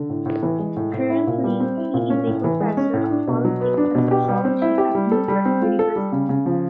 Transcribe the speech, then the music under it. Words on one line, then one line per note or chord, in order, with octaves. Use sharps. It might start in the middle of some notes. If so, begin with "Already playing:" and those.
Currently he is a professor of politics and sociology at New York University.
Already playing: D3
A2
A2
E3
G#3
A2
A2
E4
A#2
G3
C4
E4
A#2
C#4
A2
E3
G#3
C#4
A2
D4
B2
F#3
B3
D4
B2
G4
G3
C4
E4
G4
G3
A4
G3
C4
F4
A4
G3
C#3
C#3
F3